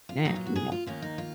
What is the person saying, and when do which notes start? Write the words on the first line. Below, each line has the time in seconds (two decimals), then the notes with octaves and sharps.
na you know."
0.09 F4
0.25 A#2 F#3 B3 D#4
0.36 F4
0.46 F#4
0.56 G#4
0.72 F4
0.86 D#2 D#3 A#3 C#4 F4
1.02 D#4
1.18 F4